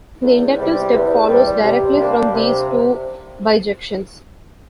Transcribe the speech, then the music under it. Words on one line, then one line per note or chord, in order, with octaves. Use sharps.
The inductive step follows directly from these two bijections.
E2
C3 G3
E2
C3 G3
C3
G3 A#3 D4
C3